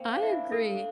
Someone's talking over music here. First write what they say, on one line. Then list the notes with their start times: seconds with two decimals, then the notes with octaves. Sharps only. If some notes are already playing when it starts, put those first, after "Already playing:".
I agree.
Already playing: A#3 C4 G5
0.16 D4
0.22 E4 E5
0.52 F4 A4
0.74 D4